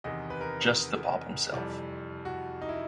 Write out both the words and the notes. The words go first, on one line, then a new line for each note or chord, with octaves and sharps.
Just to pop himself.
E2 C3 D#3 D#5
B4
A#4
F2 C3 E3 G3
F#4
D#4
E4